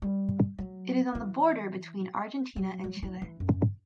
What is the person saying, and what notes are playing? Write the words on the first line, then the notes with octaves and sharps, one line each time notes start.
It is on the border between Argentina and Chile.
G3
F#3
E3
F#3
F#3
E3
E3
F#2